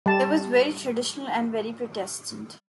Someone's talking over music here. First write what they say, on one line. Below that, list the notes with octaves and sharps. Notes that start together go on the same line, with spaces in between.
It was very traditional and very Protestant.
G3 A5